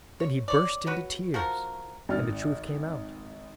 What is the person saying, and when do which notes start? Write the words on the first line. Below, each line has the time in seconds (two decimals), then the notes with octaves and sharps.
Then he burst into tears, and the truth came out.
0.20 C#5
0.48 C#5 D5
0.86 F#4 B4 C#5
1.34 F3 F#4 A#4
2.09 G#1 F6 A6